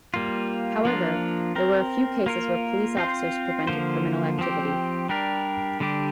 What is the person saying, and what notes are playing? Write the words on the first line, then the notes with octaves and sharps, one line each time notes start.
However, there were a few cases where police officers prevented criminal activity.
G3 A#3 F4
F3 A#3 D4 F4
C4 A#4
A#3 F4 A#4
C4 F4 C5
D3 F3 A#3 F4 C5
F3 C4 G4
G3 D4 G4 A#4
D3 G3 D4 G4